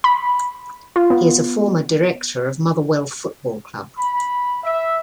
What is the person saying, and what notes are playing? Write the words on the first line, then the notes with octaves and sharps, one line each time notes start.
He is a former director of Motherwell Football Club.
B5
F4
B3
B5
E5